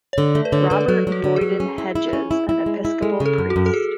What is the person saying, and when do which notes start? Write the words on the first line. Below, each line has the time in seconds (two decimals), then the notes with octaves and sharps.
Robert Boyden Hedges, an Episcopal priest.
0.13 C#5
0.18 D3 D5
0.35 A3 D5
0.45 B4
0.52 D3 C#5
0.70 D3 B4
0.81 B4
0.88 F#3 A4
1.07 F#3
1.12 F#4
1.24 D3
1.36 F#3 G#4
1.60 C#4
1.78 E4
1.95 E4
2.13 C#4
2.31 E4
2.49 E4
2.66 G#3
2.85 E4
3.02 G#3 A4
3.20 C#3
3.26 A4
3.38 F#2
3.50 F#4
3.56 F#2
3.66 A4
3.74 G#4